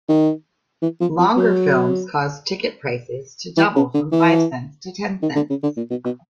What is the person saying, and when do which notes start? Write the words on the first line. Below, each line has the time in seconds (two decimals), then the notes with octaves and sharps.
Longer films caused ticket prices to double from five cents to ten cents.
0.08 D#3
0.82 E3
1.01 F3
1.19 F3
1.37 F#3
3.57 E3
3.76 C#3
3.94 D3
4.12 E3
5.22 D#3
5.35 D3
5.50 C#3
5.63 D3
5.77 A#2
5.90 B2
6.05 B2